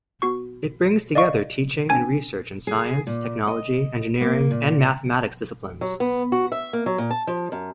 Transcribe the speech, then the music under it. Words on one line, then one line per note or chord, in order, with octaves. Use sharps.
It brings together teaching and research in science, technology, engineering, and mathematics disciplines.
B3 F#4 C#6
D5 D#5 F5 C#6
C4 D4 G#5 G#6
G#4
A#2
D#5
A#3
A#2
F#3
B3
F#4
E5
A#3
F#3
A#2
A5
F3
F#2